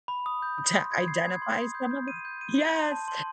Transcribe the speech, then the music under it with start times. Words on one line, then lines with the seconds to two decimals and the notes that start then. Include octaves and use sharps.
to identify some of 'em. Yes,
0.08 B5
0.26 D#6
0.42 G6
0.58 D#6
0.75 C6
0.92 G#6
1.08 C7
1.25 G#6
1.42 C6
1.58 D#6
1.75 G6
1.91 G6
2.08 D#7
2.25 G6
2.41 D#7
2.58 G6
2.75 C6
2.92 A5
3.08 C6